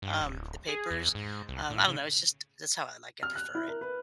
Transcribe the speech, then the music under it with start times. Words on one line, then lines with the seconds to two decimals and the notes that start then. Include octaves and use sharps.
um, the papers, um, I don't know, it's just that's how I like it, prefer it.
0.02 G2
0.21 D1
0.68 G#4
0.91 E2
1.15 G#2
1.49 C2
1.70 A2
1.88 C#3
3.23 F6
3.35 F#6
3.55 E4
3.68 A#4
3.81 B4